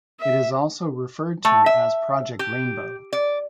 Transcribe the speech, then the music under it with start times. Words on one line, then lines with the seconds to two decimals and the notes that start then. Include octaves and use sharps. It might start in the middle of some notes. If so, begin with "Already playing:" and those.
It is also referred to as Project Rainbow.
0.20 E5
1.45 A3
1.66 E5
2.39 G4
3.13 D5